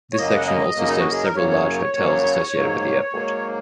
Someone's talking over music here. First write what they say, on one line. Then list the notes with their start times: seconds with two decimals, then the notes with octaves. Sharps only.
This section also serves several large hotels associated with the airport.
0.13 C#5
0.17 F#2 C#3 F#3 A#3 D#5
0.36 F#5
0.47 D#5
0.76 F#2 C#3 F#3 A#3
0.88 D#4
0.99 F#4
1.11 G#4
1.24 A#4
1.35 F#2 C#3 F#3 A#3 C#5
1.94 F#2 C#3 F#3 A#3
2.53 G#2 F#3 A#3
3.12 G#2 F#3 A#3